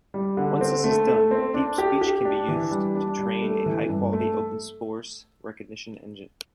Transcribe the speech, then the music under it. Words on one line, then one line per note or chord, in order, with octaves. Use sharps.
Once this is done, DeepSpeech can be used to train a high-quality open source recognition engine.
G3
D3
C4
A3
A3
C4
D4
G4
G4
D4
E3
G3
D4
G3
A3
E3
G2
A3